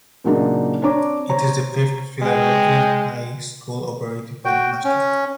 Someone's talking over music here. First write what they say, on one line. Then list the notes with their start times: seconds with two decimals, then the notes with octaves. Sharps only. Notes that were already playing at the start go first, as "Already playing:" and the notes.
It is the fifth Philadelphia high school operated by Mastery.
0.24 A#2 C#3 F#3 A#3 D4 D#4
0.81 C4 D4 C#5 A#5 D6
1.29 C5 C#5 A#5
2.22 G#3 G5
4.45 F#4 G5
4.84 C#4